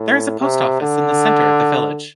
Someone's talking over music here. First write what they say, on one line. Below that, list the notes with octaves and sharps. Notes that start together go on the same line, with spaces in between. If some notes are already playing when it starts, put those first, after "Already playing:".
There is a post office in the centre of the village.
Already playing: A2
C3
D3